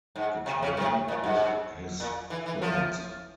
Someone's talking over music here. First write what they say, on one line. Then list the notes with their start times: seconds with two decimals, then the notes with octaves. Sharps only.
It ran with his thoughts.
0.16 G#2
0.46 C3
0.62 C#3
0.77 C3
1.08 A#2
1.23 G#2
2.00 A#2
2.30 E3
2.46 E3
2.62 F3